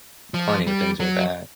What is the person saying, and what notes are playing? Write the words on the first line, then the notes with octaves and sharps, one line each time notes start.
plenty of things with that.
F3
G3
F#3